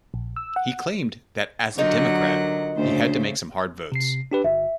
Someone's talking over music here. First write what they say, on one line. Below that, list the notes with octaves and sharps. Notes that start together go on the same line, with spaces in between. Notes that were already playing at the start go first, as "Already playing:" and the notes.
He claimed that as a Democrat, he had to make some hard votes.
A#1
E6
F#5
D3 F#3 D#4 F4 A#4 F#5
D2 C#3 A3 C5
C3 C7
D4 G4 B4
G1 E5